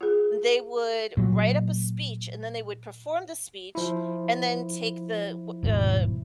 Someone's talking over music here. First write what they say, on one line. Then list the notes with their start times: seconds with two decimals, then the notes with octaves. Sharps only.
they would write up a speech, and then they would perform the speech, and then take the wh uh,
0.01 F4 G#4
1.17 A#2 F#3
3.75 F3 E4
5.63 D#1 G#2 B2